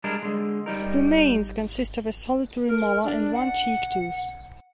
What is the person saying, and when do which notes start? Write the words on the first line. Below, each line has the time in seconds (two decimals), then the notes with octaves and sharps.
Remains consist of a solitary molar and one cheek tooth.
0.04 G3 G#3 D4 A#4
0.23 D3 G#3
0.66 G3 D#4 A#4
2.68 A#4
3.04 D4
3.34 F#5